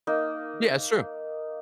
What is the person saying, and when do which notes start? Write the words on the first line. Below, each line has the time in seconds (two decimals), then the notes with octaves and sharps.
Yeah, it's true.
0.07 A#3 D#4